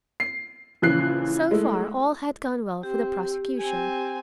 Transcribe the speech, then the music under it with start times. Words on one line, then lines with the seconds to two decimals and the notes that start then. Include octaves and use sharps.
So far, all had gone well for the prosecution.
0.20 C7
0.82 A#1 C#3 E3 F3 F#6 C7
1.51 G#3 A3 E4
2.83 C4 G4
3.59 C4 G#5